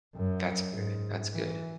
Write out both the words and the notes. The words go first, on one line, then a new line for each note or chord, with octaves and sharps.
That's good. That's good.
F#2
G#2
E3